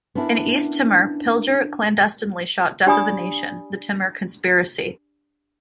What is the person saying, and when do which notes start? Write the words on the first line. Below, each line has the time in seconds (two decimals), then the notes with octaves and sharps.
In East Timor Pilger clandestinely shot "Death of a Nation: The Timor Conspiracy".
0.15 B3 C#4 D4 E4 G#4 A#4
2.87 D4 G4 D5 G#5 B5 D#6